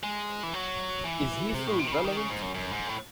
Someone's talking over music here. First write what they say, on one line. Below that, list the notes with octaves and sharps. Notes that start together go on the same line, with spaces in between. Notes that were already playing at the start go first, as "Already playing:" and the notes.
Is he still relevant?
G#3
E3
F#3
E3
C3
A2
C3
D#3
C#3
D#3
C#3
G#2
F#2
F#2
G#2
A2